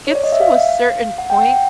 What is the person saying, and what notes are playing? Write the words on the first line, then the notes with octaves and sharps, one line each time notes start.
gets to a certain point
C#5
D5
D#5
E5
F5
F#5
G5
F#5